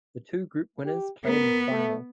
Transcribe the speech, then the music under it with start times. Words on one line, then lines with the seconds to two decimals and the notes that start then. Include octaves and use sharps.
The two group winners play in the final.
0.85 G4
1.24 B3 A#4
1.71 A3